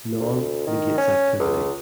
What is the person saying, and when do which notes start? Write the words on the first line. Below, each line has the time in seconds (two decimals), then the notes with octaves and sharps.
"Non" negates activity.
0.20 D2
0.67 D#3
0.98 C#4
1.40 C#2